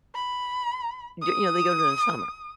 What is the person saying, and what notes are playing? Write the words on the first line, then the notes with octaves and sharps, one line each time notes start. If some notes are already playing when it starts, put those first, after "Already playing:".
D you know, they go during the summer.
B5
D#6